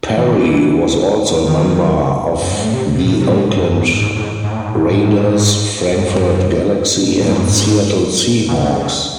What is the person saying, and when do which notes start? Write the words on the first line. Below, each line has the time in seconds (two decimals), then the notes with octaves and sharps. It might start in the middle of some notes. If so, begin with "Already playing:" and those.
Parry was also a member of the Oakland Raiders, Frankfurt Galaxy, and Seattle Seahawks.
0.17 E3
0.25 D#3
0.32 E3
1.45 D#3
2.42 F#2
2.52 G#2
2.62 A2
2.73 C3
2.95 C3
3.05 A2
3.22 C3
3.30 A2
3.37 G#2
3.59 F#2
3.72 F#2
3.80 G#2
4.01 G#2
4.16 A2
4.22 G#2
4.44 G#2
4.52 A2
4.60 G#2
4.70 A2
4.78 G#2
4.87 A2
4.95 G#2
5.04 A2
5.13 G#2
5.21 A2
5.30 G#2
5.92 F#2
6.02 G#2
6.13 F#2
7.20 A2
7.30 G#2
7.41 F#2
7.51 G#2
8.48 C#3